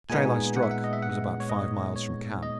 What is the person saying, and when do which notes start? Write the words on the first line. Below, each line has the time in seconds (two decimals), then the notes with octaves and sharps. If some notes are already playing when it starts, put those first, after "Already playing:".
The trail I struck was about five miles from camp.
0.10 A#2 G#3 B3 D#4 G#5
0.57 F#5
0.63 E5
0.71 F#5
0.84 D#5
0.93 E5
1.03 F#5
1.40 C#5
1.49 D#5
1.96 C#5
2.43 D#5